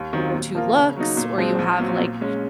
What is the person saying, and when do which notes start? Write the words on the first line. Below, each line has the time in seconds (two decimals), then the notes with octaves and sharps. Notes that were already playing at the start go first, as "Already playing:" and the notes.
go-to looks, or you have, like,
Already playing: D#2
0.13 D#3 F#3 C4 F4
0.34 A#2
0.55 F3 A#3 F4 A#4
0.75 C#3
0.97 F#3 A#3 D#4
1.17 A#2
1.38 F3 G#3 C4
1.59 A#1
1.79 A#2 F#3 C4
2.00 A#2
2.21 G#3 C#4